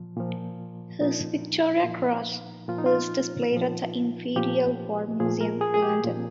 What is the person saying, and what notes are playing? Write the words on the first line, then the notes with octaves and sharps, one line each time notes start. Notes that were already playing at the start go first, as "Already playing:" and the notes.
His Victoria Cross is displayed at the Imperial War Museum, London.
Already playing: A#2 F3
A#2 F3
A#2 F3 D#4
A#2 F3
A#2 F3 F4
D#4
F4
A#2 F3
A#2 F3 G4
A#2 F3 G#4
A#4
G#4
G#4
G4
A#2 F3